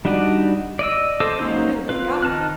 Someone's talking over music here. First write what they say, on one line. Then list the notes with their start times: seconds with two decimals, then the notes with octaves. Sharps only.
I had really forgotten.
0.05 G3 D4 D#4 F#4 D5
0.79 D5 D#5 E6
1.20 A4 C5 D#5 D6 E6
1.39 F#3 A#3 C#4 D#4 C5
1.89 C4 F4 B4
2.22 D#3 D#4 A5 F6 F#6